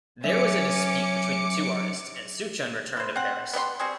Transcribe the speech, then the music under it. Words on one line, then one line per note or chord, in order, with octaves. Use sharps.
There was a dispute between the two artists, and Souchon returned to Paris.
F#3 C#4 E5 D6 C#7
E4 C5
C4 F#5
B3 G4 D#5 C6
G3 C4 F#4 G#4